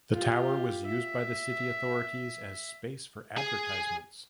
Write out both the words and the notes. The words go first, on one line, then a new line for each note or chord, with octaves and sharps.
The tower was used by the city authorities as space for advertisements.
F4 G4
E5
G#4 G#5